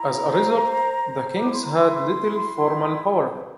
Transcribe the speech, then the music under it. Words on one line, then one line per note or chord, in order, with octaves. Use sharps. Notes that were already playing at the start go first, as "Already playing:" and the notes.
As a result, the kings had little formal power.
Already playing: E4 A#5
C5
C5
C5
E4 D6
C6
A#5
E4 C6
E4
E4